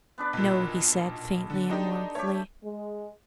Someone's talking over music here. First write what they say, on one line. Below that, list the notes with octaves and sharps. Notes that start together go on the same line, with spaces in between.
"No," he said, faintly and mournfully.
B3 D4 B4
B1 A#2
D3
D3 D4 D#4 G4 A#5
A3 G4 C#5
G#3